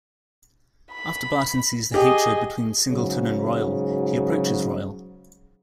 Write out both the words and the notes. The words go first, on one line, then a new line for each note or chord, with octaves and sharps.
After Barton sees the hatred between Singleton and Royle, he approaches Royle.
B5
G4 G#4 D#5
G#2 C#3 F#3